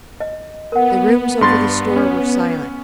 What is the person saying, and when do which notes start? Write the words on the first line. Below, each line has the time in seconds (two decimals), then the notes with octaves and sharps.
The rooms over the store were silent.
0.20 D#5
0.72 B3 A#4 F#5
1.41 G2 C6 A6
1.96 C#4